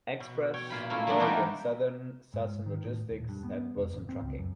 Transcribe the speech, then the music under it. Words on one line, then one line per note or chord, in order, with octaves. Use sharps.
Express, Morgan Southern, Salson Logistics and Wilson Trucking.
B2
C#5 G5
A#2 F4 B5
A3 A#3 C#4 E4 F4
F#3 G3 A3 B3 D4 F#4
E3 D4 D#4 F4 G4 A#4
G#2
D#3
A2
D#1
G2
B3
F1
G#1
C4
C#2
F#2